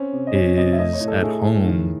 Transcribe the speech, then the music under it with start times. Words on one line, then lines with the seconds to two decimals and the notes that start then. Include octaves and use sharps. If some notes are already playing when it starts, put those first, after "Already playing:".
is at home,
Already playing: C4 C#4
0.13 C3
0.27 D#5
0.35 C#4 C#5
0.57 C3 D#5
0.73 E5
0.79 A3 D#5
0.93 C#5
1.00 A2
1.08 A4
1.22 A3 G#4
1.44 A2
1.66 D#3